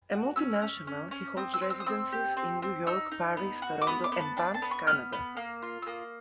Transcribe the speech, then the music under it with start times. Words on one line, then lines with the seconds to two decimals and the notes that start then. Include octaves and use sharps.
A multinational, he holds residences in New York, Paris, Toronto and Banff, Canada.
0.12 F#4
0.36 C#4 E6
0.62 C#4
0.87 C#4
1.11 C#4
1.37 C4 D#6
1.54 E6
1.62 C4
1.70 E6
1.80 D#6
1.86 C4 E6
2.12 G4
2.37 C4
2.62 C4
2.87 D#4 E6
3.11 D#4
3.37 B3
3.62 F#4
3.82 D6
3.87 B3 D#6
4.04 D6
4.12 B3
4.21 A5
4.37 D4 A5
4.54 A5
4.62 B3
4.71 C#6
4.87 B3 F6
5.13 B3
5.37 A#3
5.62 F4
5.82 E6
5.87 A#3 D#6